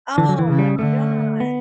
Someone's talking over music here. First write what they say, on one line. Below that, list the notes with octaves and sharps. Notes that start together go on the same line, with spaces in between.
Oh my god!
D3 E3
F#3
E3
C#3
G3
D3 A3
B3